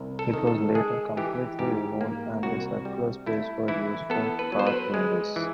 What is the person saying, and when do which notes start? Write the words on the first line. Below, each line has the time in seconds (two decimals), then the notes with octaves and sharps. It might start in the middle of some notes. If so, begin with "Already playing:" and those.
It was later completely removed and the circular space was used for cart vendors.
Already playing: C2
0.19 A4
0.33 D#3
0.47 A4
0.75 G#3 G#4
1.17 E3 G4
1.59 G#2 G4
2.01 A#3
2.43 C2 F#4
2.85 G3
3.26 A3 E4
3.68 E3 E4
4.10 B3 A4
4.39 B4
4.52 F#3
4.59 C5
4.67 B4
4.94 G#3
5.36 E3